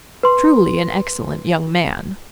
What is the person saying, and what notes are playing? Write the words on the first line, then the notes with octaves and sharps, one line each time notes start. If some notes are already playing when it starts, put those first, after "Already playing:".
Truly an excellent young man.
B4 C6